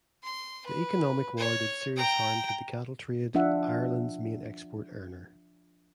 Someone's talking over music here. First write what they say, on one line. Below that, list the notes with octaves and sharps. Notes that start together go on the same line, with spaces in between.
The economic war did serious harm to the cattle trade, Ireland's main export earner.
C6
B4
C#5
G5 A#5
F3 D4 F4 E5 F#5